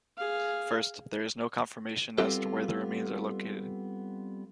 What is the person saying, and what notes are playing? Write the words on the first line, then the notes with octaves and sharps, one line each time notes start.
First, there is no confirmation as to where the remains are located.
G#4 F5
G3 B3 C4 F4 G4 A4